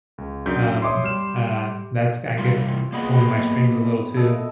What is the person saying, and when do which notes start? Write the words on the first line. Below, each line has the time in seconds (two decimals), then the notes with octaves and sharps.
um, uh, that's, g I guess, pulling my strings a little too.
0.18 C#2
0.46 F#2 D4 G6 B6
0.82 C#5 E5 C6 D6 D#6
1.03 G3 F6 E7
2.38 C3 E3 G3 F4
2.93 A#3 B3 G#4 D#5
4.16 A4 D#5 E5